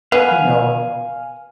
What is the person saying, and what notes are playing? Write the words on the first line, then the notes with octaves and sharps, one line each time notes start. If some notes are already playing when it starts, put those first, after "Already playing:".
you know,
B3 F5 G#5